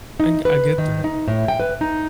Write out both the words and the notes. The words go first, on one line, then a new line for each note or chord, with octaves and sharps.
I I get that.
D#4
B4
D#3
D#4
A2
G5
B4
D#4